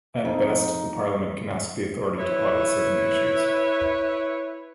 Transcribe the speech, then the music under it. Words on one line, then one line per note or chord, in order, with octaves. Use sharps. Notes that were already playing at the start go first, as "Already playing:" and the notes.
At best, the parliament can ask the authority to audit certain issues.
F2 D#4
E4 B4 C#5